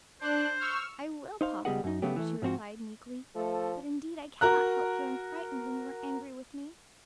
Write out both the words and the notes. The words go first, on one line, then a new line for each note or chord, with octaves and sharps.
"I will, papa," she replied meekly; "but indeed I cannot help feeling frightened when you are angry with me."
D4 C5 F#6
C#6 E6 F6
D#4 C5 F5
C#2 G3 B3 G#4 D#5 F#5
F#2 D#4
C#3 F#3 A3 B3 G4
E3 A3
G#2 F3 C4 F#4
F3 A3 A4
F#4 A#4 A#5 F#6